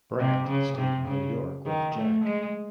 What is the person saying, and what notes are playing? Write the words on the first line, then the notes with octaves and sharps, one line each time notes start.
Brandt stayed in New York with Jack.
C3
C#3
C3
C#3
D#3
A3
G#3